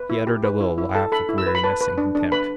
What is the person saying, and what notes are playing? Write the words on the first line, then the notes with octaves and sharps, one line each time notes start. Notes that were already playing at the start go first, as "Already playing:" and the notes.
He uttered a little laugh of weariness and contempt.
Already playing: B4
E4
G4
B4
E4
E4
A4 A5
A4 B5
E4
E6
B4
B5
B4 A5
B4
D4
D4
B4 B5